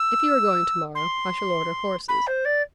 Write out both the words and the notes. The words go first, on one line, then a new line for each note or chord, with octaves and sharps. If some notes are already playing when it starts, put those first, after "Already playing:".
'If you are going to-morrow, I shall order horses.'
Already playing: E6
C6
B5
C5
D5